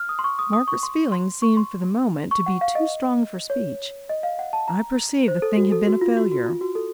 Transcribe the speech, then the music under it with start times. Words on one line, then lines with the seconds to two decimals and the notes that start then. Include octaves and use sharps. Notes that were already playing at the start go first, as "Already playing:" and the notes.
Margaret's feelings seemed for the moment to be too strong for speech. I perceived the thing had been a failure.
Already playing: F6
0.09 D#6
0.19 C6
0.24 C#6
0.39 D#6
0.53 D#6
0.67 C#6
0.83 C6
1.12 C6
1.42 C#6
1.57 C6
2.31 C#6
2.46 F#5
2.61 F5
2.75 D#5
3.50 C#5
4.09 D#5
4.23 F5
4.39 F#5
4.53 A5
4.68 A#5
5.28 C5
5.42 A4
5.57 F#4
5.72 A4
5.87 F#4
6.01 F4
6.17 F#4
6.32 F#4
6.46 F4
6.61 F#4
6.75 A4